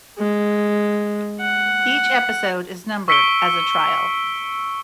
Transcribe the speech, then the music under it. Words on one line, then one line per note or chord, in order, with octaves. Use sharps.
Each episode is numbered as a Trial.
G#3
F#5
C#6 E6 B6 C#7 D7 G7